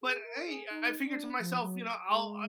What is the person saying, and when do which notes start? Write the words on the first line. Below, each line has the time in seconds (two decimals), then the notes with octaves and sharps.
But hey, I figured to myself, you know, I'll
0.01 G#4
0.24 A#4
0.47 G#4
0.71 D#4
1.05 D4
1.40 F3
1.62 F#3
2.09 G#3